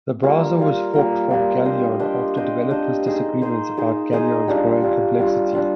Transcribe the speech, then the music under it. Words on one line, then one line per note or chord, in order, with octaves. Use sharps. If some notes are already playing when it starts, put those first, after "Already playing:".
The browser was forked from Galeon, after developers' disagreements about Galeon's growing complexity.
G3 A#3 F4 A#4
G3 A#3 F4 A#4
G3 A#3 F4 A#4
G3 A#3 F4 A#4
D4 G4 C5 D#5
D4 G4 C5 D#5
D4 G4 C5 D#5
D4 G4 C5 D#5
D#4 G#4 C5 D#5
D#4 G#4 C5 D#5
D#4 G#4 C5 D#5
D#4 G#4 C5 D#5
G3 D4 F4
G3 D4 F4
G3 D4 F4
G3 D4 F4